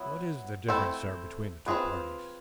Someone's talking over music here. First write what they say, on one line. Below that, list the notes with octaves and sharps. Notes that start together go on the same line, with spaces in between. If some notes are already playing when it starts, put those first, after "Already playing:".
"What is the difference, sir, between the two parties?"
Already playing: F#3 B3 E4
A3 C4 E4 A4 C5
C4 F4 G#4 B4